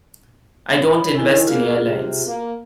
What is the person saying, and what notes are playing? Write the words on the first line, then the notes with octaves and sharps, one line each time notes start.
I don't invest in airlines.
C#5 B5
D#3 E4 G#5
A#3 F4 F#4 G#4
C3
A#3